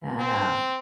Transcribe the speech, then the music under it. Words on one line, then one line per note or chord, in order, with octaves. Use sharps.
and, um
C4